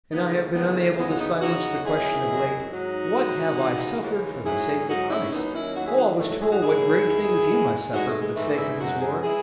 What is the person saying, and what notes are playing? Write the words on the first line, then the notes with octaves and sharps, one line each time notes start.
And I have been unable to silence the question of late: 'What have I suffered for the sake of Christ?' Paul was told what great things he must suffer for the sake of his Lord.
D#2 C#3 F#3 B3 D#4
A3
D#2 C#3 F#3 G#3 B3
A3
E2 C#3 F#3 G#3 B3
D#4 F#4
B3 D#4
E2 C#3 F#3 D#4 F#4
E2 D#3 F#3 E4 G#4
E2 D#3 F#3
G#2 F#3 D#4 F#4
G#2 F#3
D#2 C#3 E3 G#3
D#2 C#3 E3 G#3
G#2 F#3 E4 G#4
G#2 F#3 D#4 F#4
C#4 E4
D#2 D#3 F#3 B3 D#4
C#4 E4
D#2 D#3 F#3 D#4 F#4
E4 G#4
D#4 F#4
G#2 D#3 F#3 A3
A3
E4 G#4
D#4 F#4
G#2 D#3 F#3 E4 G#4
E2 D#3 G#3
E2 D#3 G#3
G#2 E3 G#3 D#4 F#4
A3
G#3
G#2 E3 G#3 A3
E4 G#4
F#2 E3 G#3 D#4 F#4
E4 G#4
E3 G#3 E4 G#4